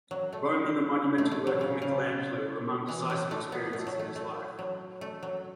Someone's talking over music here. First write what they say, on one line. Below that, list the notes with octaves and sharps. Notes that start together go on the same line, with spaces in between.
Rome and the monumental work of Michelangelo were among decisive experiences in his life.
F#3
A3
A3
A3
F#3
C#3
C#3
E3
F#3
A3
B3
A3
F#3
A3
A3
F#3
A3
F#3